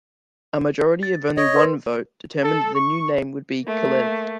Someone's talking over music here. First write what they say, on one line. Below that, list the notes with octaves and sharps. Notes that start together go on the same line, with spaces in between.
A majority of only one vote determined that the new name would be "Kalev".
A6
C#5 D#5
A#4 B4 C6
A4
C#6
A3 A#3